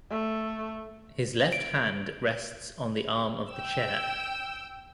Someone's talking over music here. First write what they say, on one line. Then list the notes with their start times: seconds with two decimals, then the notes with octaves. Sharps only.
His left hand rests on the arm of the chair.
0.10 A3
1.53 D7
3.52 G5 E6